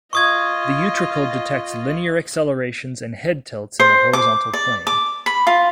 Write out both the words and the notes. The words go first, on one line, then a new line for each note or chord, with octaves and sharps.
The utricle detects linear accelerations and head-tilts in the horizontal plane.
F4 D#5 C#6 D#6 G#6
C5
D6
D5
D6
B5
F4